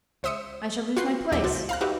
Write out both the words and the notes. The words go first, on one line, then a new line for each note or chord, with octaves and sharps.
I shall lose my place.
C#2 C5 E5 D#6 E6 C#7
F4 F#4 B4 G6 C7
A#1 D#2 E4 D5 E5 D6
C#2 F#4 C5 A6
F5 A#5 F#6
D#4 F#4 G4 B4 E5